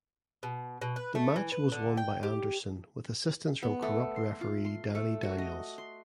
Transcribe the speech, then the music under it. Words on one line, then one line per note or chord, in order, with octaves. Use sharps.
The match was won by Anderson with assistance from corrupt referee Danny Daniels.
B2
B2
B4
A3
E3
B4
D3
G5
G4
B3
A3
C6
F4
C6
A3
F#4
D#5
C6